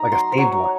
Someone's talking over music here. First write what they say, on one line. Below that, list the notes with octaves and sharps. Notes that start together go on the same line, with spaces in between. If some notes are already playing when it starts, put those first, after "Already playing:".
Like a saved one.
Already playing: A3 D#4 A#5
F#3 C6
C5
F#3 C#5
F#3